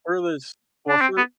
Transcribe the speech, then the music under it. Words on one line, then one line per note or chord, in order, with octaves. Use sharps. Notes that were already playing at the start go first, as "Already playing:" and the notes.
Furthest well, fur
D4
C4
B3